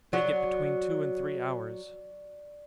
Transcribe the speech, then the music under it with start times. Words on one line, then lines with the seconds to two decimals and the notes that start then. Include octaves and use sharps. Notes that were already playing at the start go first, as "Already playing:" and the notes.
Bake it between two and three hours.
0.13 F#3 D5 C#6